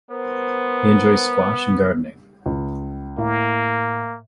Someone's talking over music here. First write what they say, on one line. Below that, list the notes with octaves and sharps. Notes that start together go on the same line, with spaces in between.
He enjoys squash and gardening.
B3 A#4 C5
C#2
A2 A#3